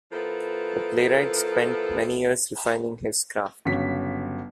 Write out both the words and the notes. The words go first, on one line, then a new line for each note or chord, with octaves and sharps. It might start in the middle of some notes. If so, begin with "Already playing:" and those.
The playwright spent many years refining his craft.
F3 B3 E4 A4 A#4
G1 C#3 F#3 B6